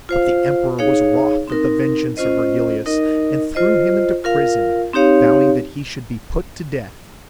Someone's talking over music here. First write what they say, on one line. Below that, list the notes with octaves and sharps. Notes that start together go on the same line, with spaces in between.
But the emperor was wroth at the vengeance of Virgilius, and threw him into prison, vowing that he should be put to death.
F4 C5 F5
D#4 G#4 C#5 F5
C4 D#4 A#4
C#4 F4 C5 D#5
D#4 A#4 D#5
F4 C5 D#5
F4 A#4 F5
C4 D#4 G4 C#5 F5